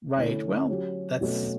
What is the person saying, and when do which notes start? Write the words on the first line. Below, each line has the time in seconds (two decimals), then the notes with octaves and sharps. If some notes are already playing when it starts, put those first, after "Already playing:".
Right. Well, that's
0.16 D3 A3 C#4 E4
0.69 F#3 C#4 G4
1.21 B2 F#3 A3 C#4 F#4